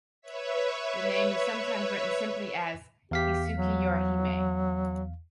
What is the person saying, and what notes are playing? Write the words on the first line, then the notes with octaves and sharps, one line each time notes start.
The name is sometimes written simply as "Isukiyorihime".
B4 C#5 E5
E2 G4 F5 B6
F#3